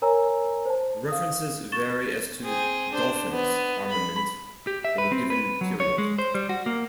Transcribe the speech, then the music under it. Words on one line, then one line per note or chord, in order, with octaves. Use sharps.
References vary as to "Dolphin"s armament in a given period.
A#4 C#5 G#5 A#5 E6
C5 A5
F5 D#6
C#6 A6 E7 G7
C4 G#4
D4 C5
B3
B5
G4
E5
B4
C4
B4
F#3
C#5
G#3
C5
G3
F#4
A#3